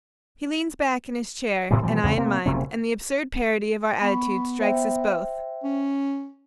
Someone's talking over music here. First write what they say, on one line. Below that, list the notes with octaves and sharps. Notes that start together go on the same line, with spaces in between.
He leans back in his chair, and I in mine, and the absurd parody of our attitude strikes us both.
A2 C3 E3 G3
B2 E3 F3 G3
E2 C#3 C4
C3 A#3 C4
F#1 C3 A#3 C#4
B3 B5 C#6
C5 E5 G5
C#4